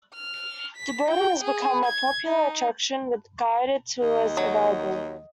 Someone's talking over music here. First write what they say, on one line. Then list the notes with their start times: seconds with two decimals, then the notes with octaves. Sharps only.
The building has become a popular attraction with guided tours available.
0.15 F6
0.77 B6
1.11 G5
1.44 G#4
1.85 G#6
2.26 D#4
4.01 D#2 D#5
4.37 F#3